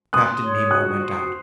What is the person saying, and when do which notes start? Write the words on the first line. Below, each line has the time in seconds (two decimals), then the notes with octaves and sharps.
Captain Nemo went out.
0.13 C6 D#6 F#6
0.42 C#5
0.71 F#4 D#6 F#6
0.99 C5